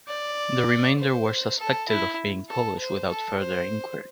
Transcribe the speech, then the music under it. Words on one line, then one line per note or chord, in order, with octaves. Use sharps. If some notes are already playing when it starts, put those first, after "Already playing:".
The remainder were 'suspected' of being Polish, without further inquiry.
D5
C5
A4
E4
A4
C5
A4
C5